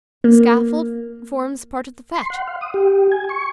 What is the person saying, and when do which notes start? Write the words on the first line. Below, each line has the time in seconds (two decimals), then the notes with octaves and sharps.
"The scaffold forms part of the fete."
0.24 A#3
2.16 C6
2.30 F#5
2.48 F5
2.61 D#6
2.74 G4
3.12 G#5
3.29 C#6